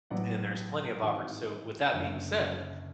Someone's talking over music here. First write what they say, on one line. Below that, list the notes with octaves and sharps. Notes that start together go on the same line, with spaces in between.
And there's plenty of opport so, with that being said,
A1 A2 F#3 B3 D5 F#5
G#1 G#2 E3
F#1 F#2 D3 C#5 E5